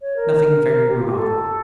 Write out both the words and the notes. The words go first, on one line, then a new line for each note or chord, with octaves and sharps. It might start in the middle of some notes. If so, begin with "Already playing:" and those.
Nothing very remarkable.
C#5
A#4
G4
F4
G4
A4